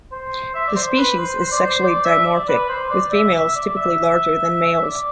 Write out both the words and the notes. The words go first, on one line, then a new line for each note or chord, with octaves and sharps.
The species is sexually dimorphic, with females typically larger than males.
C5
E5
D5
C5
B4
C5
C5
D5
C5
D5
E5
D5
B4
C5
D5
E5
E5
D5
E5
D5